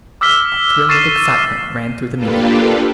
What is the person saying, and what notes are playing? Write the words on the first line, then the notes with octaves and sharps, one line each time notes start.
A thrill of excitement ran through the meeting.
D6 E6 F6 B6 G7
C#6 A6 C7 D#7 E7
A#3 D4 F4 G4 A4 B4